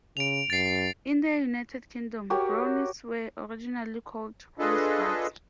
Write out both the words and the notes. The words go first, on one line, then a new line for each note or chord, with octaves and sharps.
In the United Kingdom, Brownies were originally called Rosebuds.
C#3 D7 F7
F#2 A6 C7
F#4 G4 A#4 C#5
D4 F4 G#4 A4 B4 D#5